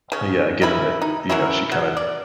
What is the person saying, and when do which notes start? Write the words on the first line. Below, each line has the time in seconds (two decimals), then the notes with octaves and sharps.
Yeah, given that, you know, she kind of
0.12 C#3 C#4
0.62 C#3 E3 E4 B5
1.02 D#4
1.29 F#3 A#3 C#4 E4
1.72 F#3
1.97 D5